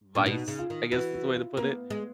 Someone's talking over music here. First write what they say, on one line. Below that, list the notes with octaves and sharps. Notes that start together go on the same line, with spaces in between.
vice, I guess is the way to put it,
A#2 D4
B2 D#4
C#3
F4
D#3
E3 F#4
F#4
F4
A#3 B3
G#3